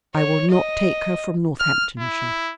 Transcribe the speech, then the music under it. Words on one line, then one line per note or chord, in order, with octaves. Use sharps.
I will not take her from Northamptonshire.
C#5
D#5
F6
E4